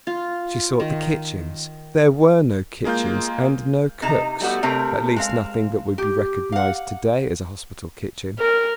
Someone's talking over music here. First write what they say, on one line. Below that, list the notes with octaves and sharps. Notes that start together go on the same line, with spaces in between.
She sought the kitchens; there were no kitchens, and no cooks; at least nothing that would be recognized to-day as a hospital kitchen.
F4
D#3
G#3 A#3 F4 G6
C3 D#4 A5 A#5
G3 A3 B3 F#4
C3 A3 C4 A#4 C#5
G#3 C4 F5
G4
F5 F#5
A#4